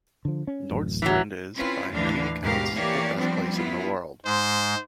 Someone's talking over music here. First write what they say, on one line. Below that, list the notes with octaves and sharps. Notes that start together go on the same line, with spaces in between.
Nordstrand is, by many accounts, the best place in the world.
D3 F3
C#4
D1 A1 F#2
E3 F#3
C4 C#4 E4 F4 B4
D#2 A2 D3 E3 D4 F5
D#2 G#2 B2 G4 A#4 F5
E3 A#3 G4 C#5 D5 F5
F3 G3 B3 C4 D4
B3 E4 F4
G#2 G#3 C5